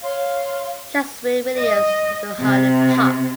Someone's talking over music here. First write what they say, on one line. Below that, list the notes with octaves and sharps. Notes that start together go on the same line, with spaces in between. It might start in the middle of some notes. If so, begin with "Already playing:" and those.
Jazmin Williams of The Honey Pop!
C#5 F5 C6
D#5
C3